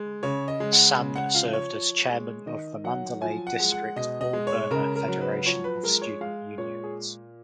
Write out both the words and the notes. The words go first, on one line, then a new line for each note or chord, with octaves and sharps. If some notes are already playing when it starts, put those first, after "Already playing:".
San served as chairman of the Mandalay District All Burma Federation of Student Unions.
Already playing: G#3
C#3 C#5
D#5
G#3
F#5
C#3
F#5
F3 F5
C#5
F3
G#3
D#3 D#5
F#3 F#5
F3 G#5
F#5
G#3
F#5
B2 D#5
D#5
G#3
C#5
C#3 A#4
A#4
F#3
B4
F3 C#5
B4
G#3 A#4
C#5
G#3 F5
A#2 C#5
G#4